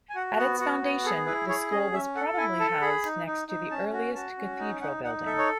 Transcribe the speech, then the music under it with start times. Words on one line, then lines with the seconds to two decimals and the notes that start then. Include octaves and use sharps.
At its foundation, the school was probably housed next to the earliest cathedral building.
0.10 G#5
0.15 F#4 F#5
0.37 B3 F#5
0.60 F#4 F#5
0.82 B3 C#5
1.04 G#4 A4
1.26 E4 B4
1.49 G#4 C#5
1.71 C#4 D#5
1.93 C#4 E5
2.15 A4 F#5
2.37 E4 G#5
2.60 A4 A5
2.81 G#4 B5
3.05 D#4
3.26 D#4
3.48 D#4
3.71 C#4 A5
3.93 F#4
4.15 F#4 A5
4.37 C#4
4.59 D#4
4.81 D#4 F#5
5.04 D#4 F#5
5.26 A4 E5
5.38 C#5